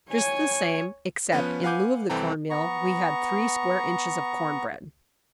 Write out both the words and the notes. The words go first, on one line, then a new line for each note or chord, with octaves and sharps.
"Just the same, except, in lieu of the corn-meal, we had three square inches of corn bread."
C#5 G#5
F3 B3 C#4 B4
B4 F5 F#5 G#5 D6 G6
C2 E3 C4 A4 G5 A#5
B3 A#5 C#6